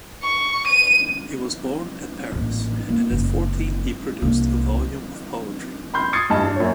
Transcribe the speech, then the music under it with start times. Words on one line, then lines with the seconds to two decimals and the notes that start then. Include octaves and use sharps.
He was born at Paris, and at fourteen he produced a volume of poetry.
0.23 C#6
0.67 D#7
2.32 A1 A#2
2.89 A#3 B3
3.10 F#1
4.22 C2 A#3
5.94 B5 C6 G6
6.13 D#6 G#6 A6 C7 C#7
6.30 G2 E3 D#5 A5
6.44 D4
6.56 F#2 A#2 C#5